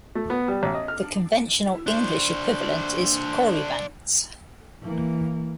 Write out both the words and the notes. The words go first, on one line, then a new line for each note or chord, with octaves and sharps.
The conventional English equivalent is "Corybants".
A3
B3
G3
A1
D#5
F6
D4 C5
E3 A#3